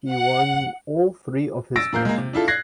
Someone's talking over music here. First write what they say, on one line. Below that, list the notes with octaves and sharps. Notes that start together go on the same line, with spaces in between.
He won all three of his matches.
F#5
E6 A6 A#6 D7
A#2 A#4 F5 G6
G#3 A#3
C3
D4 E4 F4 A4
F#6 G#6 A#6 C7